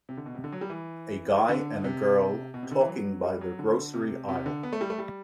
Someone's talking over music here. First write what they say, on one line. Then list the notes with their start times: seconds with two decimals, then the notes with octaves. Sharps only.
A guy and a girl talking by the grocery aisle.
0.09 C3
0.17 D3
0.26 B2
0.35 C3
0.44 D3
0.52 F#3
0.61 G3
0.70 E3
1.49 D3
1.84 C3
2.54 B2
2.63 C3
2.71 D3
2.80 E3
2.88 F#3
3.24 G3
3.41 F#3
3.59 D3
3.94 C3
4.29 C3
4.46 D3
4.63 B3
4.73 A3
4.81 G3
4.90 A3
4.99 G3